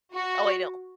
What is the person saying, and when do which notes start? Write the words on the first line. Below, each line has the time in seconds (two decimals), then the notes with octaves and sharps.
Oh, I know.
0.14 F#4